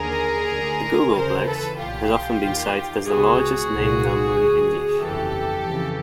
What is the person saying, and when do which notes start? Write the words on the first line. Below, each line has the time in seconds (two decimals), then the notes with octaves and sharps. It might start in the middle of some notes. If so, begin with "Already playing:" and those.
The googolplex has often been cited as the largest named number in English.
Already playing: D#2 D3 G#4 A#4
0.52 D2 D3
1.15 D#2 C#3 E3 A#4 C5
1.47 A4 B4
1.80 B1 A#2 F4 G4
2.44 D#2 D#3
3.07 C#2 B2 F#4 G#4
3.72 C2 A#2
4.36 D2 D3
4.99 G1 F2 C#3 E3 G4 A4
5.63 F2 C#3 E3